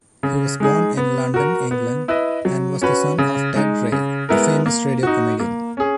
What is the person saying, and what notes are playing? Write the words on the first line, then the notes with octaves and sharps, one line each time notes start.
He was born in London, England and was the son of Ted Ray, a famous radio comedian.
C#3
G#3 D#4 G#4
B3
F#4 A#4
B3
E4 B4 D#5
F#3
C#4 F#4 B4
C#3
G#3 D#4
C#3
G#3 B3 E4 A#4
A#3
D#4 F#4
A#3
C#4 G#4